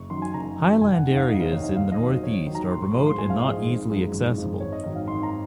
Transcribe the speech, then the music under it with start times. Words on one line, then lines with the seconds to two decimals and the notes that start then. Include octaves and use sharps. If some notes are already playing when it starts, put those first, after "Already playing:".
Highland areas in the north-east are remote and not easily accessible.
Already playing: F#1 C#6
0.10 F#2 D#3 F#3 C6
0.22 G#5
0.34 F#1 A#5
0.58 F#2 D#3 F#3
0.81 F1 G#5
0.93 F#5
1.05 D#2 D#3
1.17 F5
1.28 F1 D#5
1.40 C5
1.53 D#2 D#3 C#5
1.64 D#5
1.76 D#2 F5
1.92 D#5
2.00 D#3 F#3
2.07 C5
2.23 D#2 C#5
2.47 D#3 F#3
2.55 A#5
2.71 A#1 C6
2.82 C#6
2.94 G#2 F3 G#3 C6
3.07 C6
3.18 A#1 G#5
3.30 F5
3.42 G#2 F3 G#3 D#5
3.54 D#5
3.66 G#1
3.89 F#2 F3 G#3
4.13 G#1
4.36 F#2 F3 G#3
4.60 G#1 C#5
4.72 D#5
4.84 G#2 D#3 F#3 D#5
4.95 F5
5.08 G#1 C6
5.23 A#5